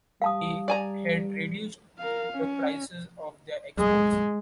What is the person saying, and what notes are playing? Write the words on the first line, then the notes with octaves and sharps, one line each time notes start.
They had reduced the prices of their exports.
G3 F5 A5 D#6
D5 G#5 A#5
A#4 F5
C#4
G#3